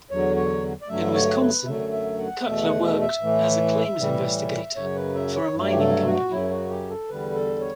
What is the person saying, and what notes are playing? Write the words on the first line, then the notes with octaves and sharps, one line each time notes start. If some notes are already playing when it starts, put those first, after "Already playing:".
In Wisconsin, Cutler worked as a claims investigator for a mining company.
E2 D3 F#3 C#5
C#5
D5
G2 D3 F#3 A3 E5
C#5
B4
F#2 D3 F#3 A3 E5
E5
F#5
E2 B2 A3 E5
F#5
E5
E5
A2 E3 A3
A2 E3 G3
F#2 C#3 F#3 C#5
B4
E5
C#5
G2 F#3 A3
G4
A4
F#4
F#2 C#3 F#3 E4
F#4
G4
A4
E2 D3 G3 B4
A4
C#5